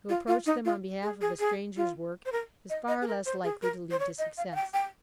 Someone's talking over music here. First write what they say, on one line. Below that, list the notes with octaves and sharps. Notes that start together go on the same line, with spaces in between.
To approach them on behalf of a stranger's work is far less likely to lead to success.
F4
F4
D#4
F4
G#4
G#4
G#4
F4
C5
A#4
D#5
D#5
G#4
A#4
C5
G#4
A#4
C5
C#5
D#5
F5
F5
G5
G5